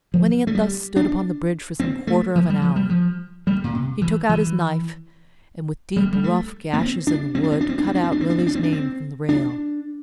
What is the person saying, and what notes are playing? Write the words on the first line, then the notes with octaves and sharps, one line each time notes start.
When he had thus stood upon the bridge for some quarter of an hour, he took out his knife, and, with deep, rough gashes in the wood, cut out Lily's name from the rail.
F3
A3
G3
D4
C4
A3
F3
G3
F3
G3
F3
G3
A#2
C3
E3
E3
G3
G3
A3
A#3
C4
D4
C4
D4
C4
D4
C4
D4
C4
D4
C4
D4
C4
D4
C4
D4
C4
D4
C4
D4